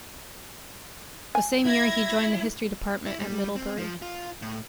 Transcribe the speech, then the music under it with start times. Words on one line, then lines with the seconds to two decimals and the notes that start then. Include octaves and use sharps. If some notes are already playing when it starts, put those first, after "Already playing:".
The same year he joined the history department at Middlebury.
1.35 G#5
1.66 E4 G#6 A#6
3.06 E4
3.20 G3
3.56 C4
3.78 F3
4.02 F4
4.42 A2